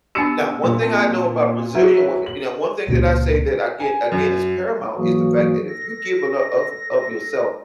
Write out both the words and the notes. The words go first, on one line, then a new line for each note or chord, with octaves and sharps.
Now, one thing I know about Brazilian women you know, one thing that I say that I get again is paramount is the fact that if you give enou ...ough of yourself
B3 D4 G4 E6 C#7 D#7
A#2
C4
F#3 E4 F#4
C#5
F#7
C#2 A#2 C#3
G#5
F#2
G#2 E3 F#3 A#3 F#4 G#4
A4 A#6